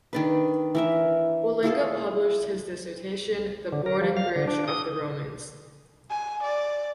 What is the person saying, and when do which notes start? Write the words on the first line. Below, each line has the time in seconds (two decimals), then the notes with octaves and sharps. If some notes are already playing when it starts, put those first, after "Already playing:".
Wallinga published his dissertation, "The Boarding-Bridge of the Romans".
0.13 D#3 D4 B4
0.75 E3 A#4 E5
1.63 E4 F4 G#4 A4
3.72 D3
3.86 A#4
4.02 F3
4.17 F5
4.36 D3
4.48 D4
4.68 D#6
6.10 G#5
6.43 D5